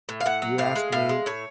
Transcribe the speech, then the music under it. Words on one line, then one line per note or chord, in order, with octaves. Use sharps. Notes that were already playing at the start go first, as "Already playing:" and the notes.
you ask me,
A2
F5
A2 F#5
F#3
A2 F5
G#3
A2 F5
G#3
A2 C#5